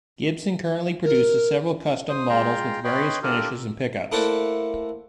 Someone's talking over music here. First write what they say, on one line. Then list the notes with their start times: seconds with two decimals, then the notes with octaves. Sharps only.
Gibson currently produces several Custom models with various finishes and pickups.
1.04 A#4
2.09 C5 D#6
2.29 G#3 F4 G5 A#5 C6
2.84 B4 C#5 D#5 G5 B5 C6
3.23 D4 F4 G4 A4 A#4
4.12 A3 A#3 E4 C5 D5 F#5